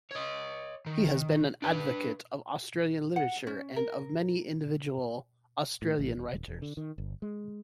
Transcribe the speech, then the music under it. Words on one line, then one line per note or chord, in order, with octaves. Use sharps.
He has been an advocate of Australian literature and of many individual Australian writers.
C#5 D#5
D#3
D4 B4
F#5
C#4
A#4
A2
A1
D#1
D#1
E1
D3
D#3
G1
G#3